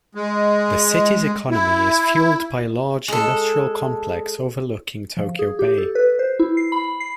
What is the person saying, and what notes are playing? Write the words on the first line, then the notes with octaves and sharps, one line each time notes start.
The city's economy is fueled by a large industrial complex overlooking Tokyo Bay.
G#3
E4
G#3 A4
F3
G#4
G4
A4
B4
C5
E4
C7
B5
C7